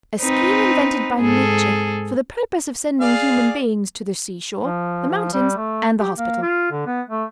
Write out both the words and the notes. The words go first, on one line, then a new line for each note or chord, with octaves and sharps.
A scheme invented by Nature for the purpose of sending human beings to the seashore, the mountains and the hospital.
C4 D#4 B4
G#2 G#4 A4
G#4 D5 F5
F3
F3
G3
A3
G4
A#3
F4
D3
B3
A3